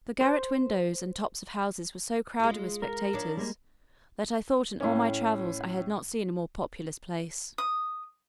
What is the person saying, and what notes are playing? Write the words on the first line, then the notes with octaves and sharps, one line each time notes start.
The garret windows and tops of houses were so crowded with spectators, that I thought in all my travels I had not seen a more populous place.
C5
G#3 F4
A#4
F3 D4 C#5
G3 G#3 A#3
A2 C#4
D#6